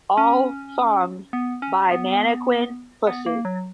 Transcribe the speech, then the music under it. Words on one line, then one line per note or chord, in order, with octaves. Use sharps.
All songs by Mannequin Pussy.
C#4
B3
C#4
B3
B3
A#3
F#3